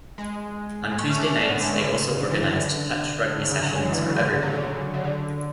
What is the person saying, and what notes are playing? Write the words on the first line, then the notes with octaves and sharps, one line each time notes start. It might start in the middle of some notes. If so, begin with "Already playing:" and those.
On Tuesday nights they also organised touch rugby sessions for everyone.
G#3
G#3
A3
C#4
D4
C#4
B3
A3
G#3
D3
C#3
D3
E3
E3
D3
C#3
D3
F#3
G#3
E3
D3
C#3
D3
C#3
D3
F#3
D3
C#3
C#3
D3